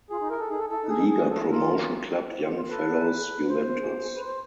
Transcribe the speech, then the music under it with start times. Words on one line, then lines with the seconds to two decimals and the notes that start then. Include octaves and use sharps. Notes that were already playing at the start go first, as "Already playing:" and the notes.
Liga Promotion club Young Fellows Juventus.
0.10 F4 G#4
0.20 D#4
0.30 E4 A#4
0.39 A4
0.49 D#4 G#4
0.59 A4
0.70 E4 A4
0.82 D#4
0.89 G#4
0.96 D#4
1.09 G#4
1.23 D#4
1.30 A4
1.35 E4
1.50 F4 A#4
2.29 E4
2.43 F4
2.56 F4
2.69 A4 B4
3.49 C5
3.79 G#4
3.89 G4
4.02 G#4
4.15 B4
4.26 C5